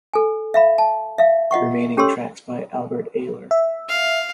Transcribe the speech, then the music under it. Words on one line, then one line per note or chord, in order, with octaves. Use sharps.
Remaining tracks by Albert Ayler.
A4 G#5
E5 F5 B5
A5
E5 F5
F4 D#5 F#5 C#6
C#4 G4 A4 C#5 C6 E6
E5
F5